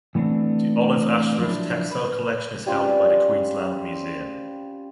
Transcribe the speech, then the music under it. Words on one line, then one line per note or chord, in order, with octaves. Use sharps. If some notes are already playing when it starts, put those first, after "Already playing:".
The Olive Ashworth Textile Collection is held by the Queensland Museum.
E3 A3 B3 C4 D4
F3 F#3 D4 E4
B4
G3 C4 C#4 F4